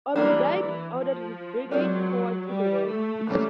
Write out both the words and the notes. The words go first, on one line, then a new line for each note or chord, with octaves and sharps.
Opdycke ordered his brigade forward to the works.
E3 G3 A#3 D4
E3
F3
F#3 G#3 C4 F4 A#4 D5
G3
A3
E3 G3 A#3 C#4